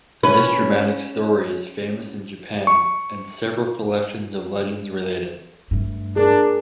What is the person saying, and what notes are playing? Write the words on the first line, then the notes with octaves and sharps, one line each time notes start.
This dramatic story is famous in Japan and several collections of legends relate it.
C#4 B4
C#6
G2 A3
D4 G#4 A#4